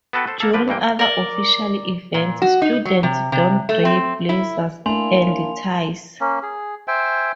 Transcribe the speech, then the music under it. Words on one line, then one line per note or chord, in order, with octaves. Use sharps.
During other official events, students don grey blazers and ties.
B3 F#4 A4 B4 G5
A4 C5
A#3 A4
D3 F3 B4 D5
G2 E3 A#3 G5
A#4 D5
A#2
F#4
D#4
F#3
C3
C3
A3
C4
E4
A3 A#3 D4 E4 G#5 C6 F7
A#3 C#4
G#4
C5 E5 G5 G#5